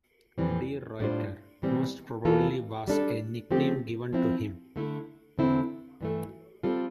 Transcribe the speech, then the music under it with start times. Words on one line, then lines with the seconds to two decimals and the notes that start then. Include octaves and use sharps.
"De Ruyter" most probably was a nickname given to him.
0.38 F2 E3 G3 C4
1.00 A2 G3 D4 F4 C5
1.62 A2 E3 G3 C4
2.25 E2 E3 A#3 F4 A4
2.88 G3 D4 A4
3.50 D3 F3 A3 C4 G4
4.13 F3 C4 E4
4.76 D3 A3 E4
5.38 E2 D3 A3 C4 E4
6.01 G2 E3 A3
6.63 G3 C4 F4 A4